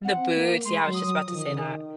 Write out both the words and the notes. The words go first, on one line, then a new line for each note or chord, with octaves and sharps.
The boots, yeah, I was just about to say that.
C4 F#5
A#3
G#3 C6
F#3
D#6
F#3
F3
D#3
C#3
D#3